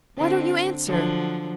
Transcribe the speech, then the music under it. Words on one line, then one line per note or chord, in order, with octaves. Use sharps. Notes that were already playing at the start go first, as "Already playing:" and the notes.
Why don't you answer?
D3 C4
D3 F3 F#3